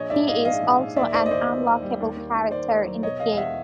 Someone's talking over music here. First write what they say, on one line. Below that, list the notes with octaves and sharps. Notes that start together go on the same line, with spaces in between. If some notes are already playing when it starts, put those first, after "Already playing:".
He is also an unlockable character in the game.
Already playing: A#1 C#5 D#5
G#2 D5 E5
G#2 D#5 F5
A#1 D#5 F5
A#1
A#1
D#2 D5 E5
D#3 C5 D5
D#5
D#2 C5 D5
D#2
D#2
G3
D#2
D#2
D#2
D#2 C5 D5
D#2
F#3
B2 C#5 D#5
E2 D#5 F5
F5
E2 E5 F#5